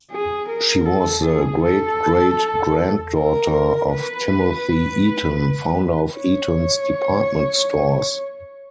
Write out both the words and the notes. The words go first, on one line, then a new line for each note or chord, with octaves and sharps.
She was the great-great-granddaughter of Timothy Eaton, founder of Eaton's department stores.
G#4
A#4
A4
G#4
A4
A#4
B4
C#5